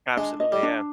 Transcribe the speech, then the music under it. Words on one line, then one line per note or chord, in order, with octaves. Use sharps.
Absolutely, yeah.
G#3 D4
D#5
G3
D4